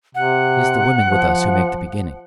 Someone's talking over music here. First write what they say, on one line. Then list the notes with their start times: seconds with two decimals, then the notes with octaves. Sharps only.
It is the women with us who make the beginning.
0.15 C3 F#5
1.07 F3